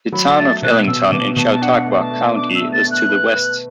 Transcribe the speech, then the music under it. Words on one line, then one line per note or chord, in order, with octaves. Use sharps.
The town of Ellington in Chautauqua County is to the west.
F#3 B5
A3 A6
B2 F#6
B2 E6
B2 D6
B2 A5
A5
D4 F#5
A3
A5
A3
D4 D6
E6
A3
A6
A3
F#6
B4
B4